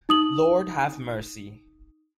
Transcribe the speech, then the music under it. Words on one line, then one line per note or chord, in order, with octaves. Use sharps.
Lord Have Mercy!
D#4 D#6 F#7